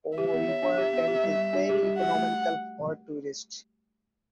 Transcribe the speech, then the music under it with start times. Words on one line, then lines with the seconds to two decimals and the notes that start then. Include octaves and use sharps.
Corriverton is very economical for tourists.
0.18 G4 E5
0.33 B3
0.48 C#5
0.62 D4
0.78 G4
0.93 B3
1.08 G4
1.24 G3
1.38 G3
1.53 D4
1.69 G4
1.83 G3
1.99 F#4 F#5
2.14 A3